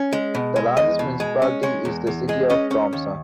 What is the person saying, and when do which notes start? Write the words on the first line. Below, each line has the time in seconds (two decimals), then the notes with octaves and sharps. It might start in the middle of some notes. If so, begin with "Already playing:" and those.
The largest municipality is the city of Thompson.
Already playing: C#4
0.13 G#3
0.35 B2
0.56 G#3
0.77 E2 D#5
0.99 B2
1.20 G#3
1.42 C#4
1.63 G#3 C#5
1.85 E2
2.07 E2
2.29 G#3
2.50 C#4 D#5
2.71 C#4
2.93 D#2